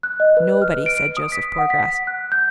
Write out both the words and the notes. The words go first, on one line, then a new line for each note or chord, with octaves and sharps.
"Nobody," said Joseph Poorgrass.
F#6
D#5
B4
F6
D7
D#6
B6
F#5
B6
F#6
G6